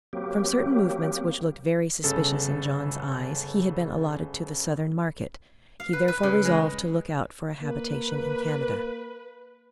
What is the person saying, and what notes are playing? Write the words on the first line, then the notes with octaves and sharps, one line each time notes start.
From certain movements which looked very suspicious in John's eyes, he had been allotted to the Southern Market, he therefore resolved to look out for a habitation in Canada.
F#3 A#3 C4 G4
G1 C#3 A4
F5
B4
B4
C#3
G#3
A#3 B4